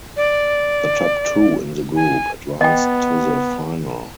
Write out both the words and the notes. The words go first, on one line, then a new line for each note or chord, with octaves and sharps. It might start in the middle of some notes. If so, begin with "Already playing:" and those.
The top two in the group advanced to the final.
D5
G#5
B3 D#5 G5